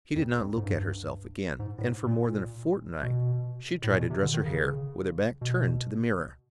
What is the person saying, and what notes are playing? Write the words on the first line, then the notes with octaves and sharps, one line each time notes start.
She did not look at herself again, and for more than a fortnight she tried to dress her hair with her back turned to the mirror.
F2
F2
G#2
G2
G#2
A2
G#2
A#2
B2
A2
A#2
B2
C3
D3
D#3
C#3
B2